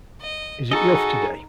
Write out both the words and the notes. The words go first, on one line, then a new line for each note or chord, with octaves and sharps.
Is it rough today?
D#5
D#4 F#4 G#4 A4 D#5